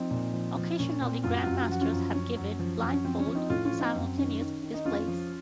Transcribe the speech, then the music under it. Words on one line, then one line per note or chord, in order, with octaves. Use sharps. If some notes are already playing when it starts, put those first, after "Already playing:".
Occasionally, grandmasters have given blindfold simultaneous displays.
Already playing: F3 C4 D#4
A#2
F3
F3
A#2 C#4
A#2 C4
F#2 F4
F#4
F#2 F4
F#4
F4
F3 F#4
C#4 F4
F#2
F3 C#4
F#2
F3
F#2
C#4
F3 C4
C#4
F3
C4 D#4
A2 C#4 F4
C#4 F4
F3
C4 D#4
F#2 C4
D#3 C#4
D#3
D#3
D#4
F2 C#4 F4
F3